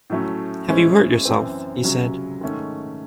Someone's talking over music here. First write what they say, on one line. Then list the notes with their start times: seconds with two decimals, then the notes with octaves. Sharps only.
Have you hurt yourself?’ he said.
0.10 A2 F#3 A3 C#4
0.67 A2 G#3 C#4 E4 C5
1.25 F#2 E3 C4
1.83 C#2 C3 F#3 C#4
2.41 G#2 D#3 A3 C#4